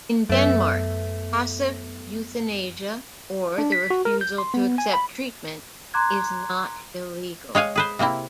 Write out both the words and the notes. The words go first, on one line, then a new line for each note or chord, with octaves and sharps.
In Denmark, passive euthanasia, or the refusal to accept treatment is not illegal.
F#2 A3 B3 E5
D4
B6
F#4
A#4
G6
C6
B3
G#5
B5
A#5 C6 D6 F#6 G#6
G#3 C#5 F5 G#5
G#4 B4 C5
C3 A#3 C4 E4